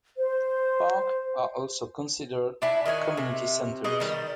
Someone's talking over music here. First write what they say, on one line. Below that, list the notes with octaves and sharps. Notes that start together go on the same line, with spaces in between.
Parks are also considered community centres.
C5
D4 E4 G#5
D#3 F#4 C#5 G#5
C3
B2 G#4 D#5
D#3 G3